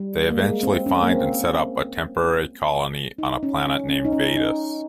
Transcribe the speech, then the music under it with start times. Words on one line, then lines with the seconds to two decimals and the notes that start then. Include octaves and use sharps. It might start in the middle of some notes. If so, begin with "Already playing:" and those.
They eventually find and set up a temporary colony on a planet named Vadis.
Already playing: G3
0.30 A#3
0.39 G#3
0.63 C4
0.86 C#4
1.03 A#3
1.10 C4
3.18 D#4
3.43 C#4
3.66 C#4
3.89 C#4
4.05 D#4
4.12 C#4
4.35 D#4